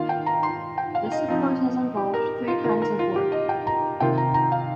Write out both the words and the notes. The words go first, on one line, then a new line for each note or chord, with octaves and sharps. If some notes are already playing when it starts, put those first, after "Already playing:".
This approach has involved three kinds of work.
Already playing: D#3 A#3 F4 F5
G5
A#5
C6
G5
F5
D#5
F3 C4 D#4
G4
A#4
F4
D#3 A#3 F4 A#4
A#4
F4
G4
D#5
G5
A#5
C3 D#3 A#3 F4 G5
A#5
A#5
F5